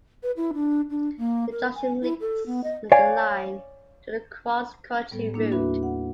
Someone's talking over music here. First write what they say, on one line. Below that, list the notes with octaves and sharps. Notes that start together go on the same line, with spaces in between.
The junction links the line to the Cross Country Route.
B4
E4
D4
D4
A#3
A#4
G#5
E4
A4
B3
D#5
C#5 D5 F5 G#5
A2 G3 B3 A4
A#3 D4 E4
D#2 D4 F#4 B4 E5 B5
F#5